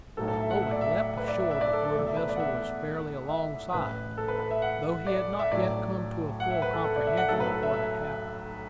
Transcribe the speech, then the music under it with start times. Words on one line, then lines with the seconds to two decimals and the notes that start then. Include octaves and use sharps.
Owen leaped ashore before the vessel was fairly alongside, though he had not yet come to a full comprehension of what had happened.
0.17 B1 A2 F#3 A3 A4
0.28 A4
0.40 E5
0.51 F#5
0.62 E5
0.71 D5
0.81 E5
1.17 B4
1.28 D5
1.39 E5
1.51 E5
1.61 D5
1.73 A4
1.84 A4
1.95 E2 B2 A3 D5
2.06 E5
2.17 B4
2.29 D5
2.36 F#5
2.40 E5
3.29 E5
3.73 A1 A2 E3 B4
4.17 A4
4.28 B4
4.39 B4
4.51 E5
4.62 F#5
5.06 D5
5.39 E5
5.51 B1 A2 F#3 D5
6.40 F#5
6.50 E5
6.62 B4
6.73 A4
6.84 A4
6.96 D5
7.06 E5
7.17 F#5
7.28 B1 A2 F#3 A3 A4
7.40 B4
7.51 A4
7.63 E5
7.73 E5